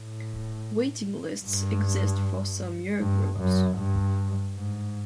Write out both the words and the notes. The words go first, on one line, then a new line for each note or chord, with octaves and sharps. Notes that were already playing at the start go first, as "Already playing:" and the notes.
Waiting lists exist for some year groups.
Already playing: A2
G2
G2
F#2
G2
G#2